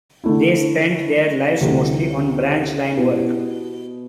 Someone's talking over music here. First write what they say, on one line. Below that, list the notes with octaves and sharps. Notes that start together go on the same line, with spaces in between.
They spent their lives mostly on branch line work.
D3 A3 E4
D2 C3 E3 G3
B2 B3 E4 G4